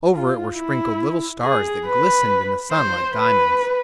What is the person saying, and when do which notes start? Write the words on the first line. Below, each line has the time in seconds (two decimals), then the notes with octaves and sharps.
Over it were sprinkled little stars that glistened in the sun like diamonds.
0.14 F4
0.56 E4
1.43 G#4
1.86 B4
2.71 C5
3.15 B4